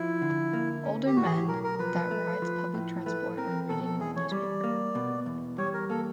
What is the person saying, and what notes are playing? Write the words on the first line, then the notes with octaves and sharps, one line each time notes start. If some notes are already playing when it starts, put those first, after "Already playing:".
Older men that rides public transport when reading newspaper.
Already playing: F3 E4
D3
A#3
C#4
G4
A2 F#4
G#4
G4
B1 A#4
A#4
F3 B4
A3
F3
A2
A3 B4
C4 A#4
B2 A4
A4
E2 G#4
C#5
G3 D5
A#3
B2
E2
G3 C#5
A#4
A#3 A4